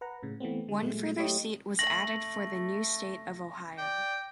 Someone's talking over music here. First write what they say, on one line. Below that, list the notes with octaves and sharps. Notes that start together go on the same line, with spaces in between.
One further seat was added for the new state of Ohio.
B4 F#5 A#5
A2 C#3
E3 A3 B3 C4
D3 G#3
A#2 F#3 G#3 A3
F#3 A3 E4 G4 C#5 D#5
A3 A#6 F#7
D5 G5